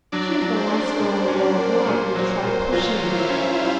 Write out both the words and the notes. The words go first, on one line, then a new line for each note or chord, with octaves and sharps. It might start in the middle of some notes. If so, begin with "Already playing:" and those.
She is the last girl in the world likely to try to push in.
F#3 D4 D5
F#3
C5
C#4
A#2
C#4
A#3
A#2
F#3
A#2
F#3 F4 F5
F#3
E4 E5
C#4
G3